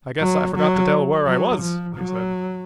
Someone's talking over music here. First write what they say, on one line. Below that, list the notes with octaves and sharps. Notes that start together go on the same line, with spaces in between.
"I guess I forgot to tell where I was," he said.
F#3
F#3
F#3
F3
F#3